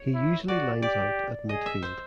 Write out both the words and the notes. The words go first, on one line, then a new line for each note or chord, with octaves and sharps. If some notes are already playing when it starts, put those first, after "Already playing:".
He usually lines out at midfield.
Already playing: C#5
E4
F#4 D5
G4 D5
G#4 D#5
E5
C5